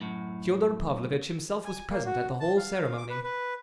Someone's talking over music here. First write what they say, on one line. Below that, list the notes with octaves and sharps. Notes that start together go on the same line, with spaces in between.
Fyodor Pavlovitch himself was present at the whole ceremony.
F#2 A2
G#5
A#3
F#4
A5
F5
D6
B4
B4